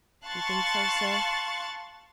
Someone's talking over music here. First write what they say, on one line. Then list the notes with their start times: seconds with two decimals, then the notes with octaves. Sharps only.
'Do you think so, sir?'
0.25 F5 A5 C6 C#6 F#6 A6